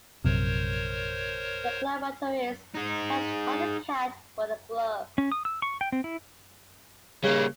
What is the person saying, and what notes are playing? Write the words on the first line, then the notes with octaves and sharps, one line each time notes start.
The clan motto is "Touch not the cat but a glove".
A#1 F#2 C3 A#4 C5 C#5
D#4 G#4
C#4
D#6
E6
C#6
G5
C4
E4
C#3 G3 A#3